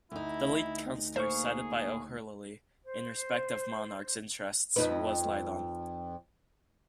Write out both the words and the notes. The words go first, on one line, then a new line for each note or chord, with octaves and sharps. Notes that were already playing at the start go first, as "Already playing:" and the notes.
The lead councillor cited by O'Herlihy in respect of Monarch's interests was Lydon.
D2 D#4 E4
A#3 G#4 C5 F5 C#6
C5
F2 D#4 B4